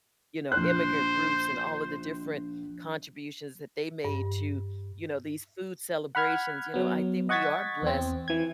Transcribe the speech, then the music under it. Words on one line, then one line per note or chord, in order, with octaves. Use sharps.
you know, immigrant groups and all of the different contributions that they made to, you know, these food celebrations, you know, I think we are blessed
A#1 C5 F#6
G2
F#5 B5 F6 G#6
F#3 B3
D#5 F#5 C#6 G#6 A6 B6
E2 C4
E3 G#6